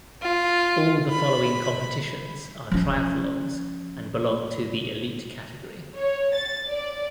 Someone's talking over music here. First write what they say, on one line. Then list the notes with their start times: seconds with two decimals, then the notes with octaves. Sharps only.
All the following competitions are triathlons and belong to the "Elite" category.
0.22 F4
1.09 B5
2.72 F3 C#4
5.97 C#5
6.35 A6
6.69 D5